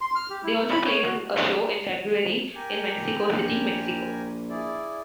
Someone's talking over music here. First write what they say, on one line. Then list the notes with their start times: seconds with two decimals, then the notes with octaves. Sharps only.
They also played a show in February in Mexico City, Mexico.
0.01 C6
0.15 F6
0.30 G4
0.44 E4
0.56 A#4
0.71 B5
0.86 C#5
1.05 F#4
2.55 G4 A#4 G#5
3.28 A#1
4.50 E4 G#4 D5